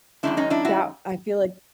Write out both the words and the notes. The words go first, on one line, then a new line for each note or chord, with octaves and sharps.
that I feel like
F#2 D#3 G#3 D4 E4
C#4 D#4
D4 E4
E4 F#4